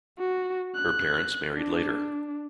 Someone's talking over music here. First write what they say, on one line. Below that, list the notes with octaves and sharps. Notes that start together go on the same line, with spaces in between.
Her parents married later.
F#4
F#6
D4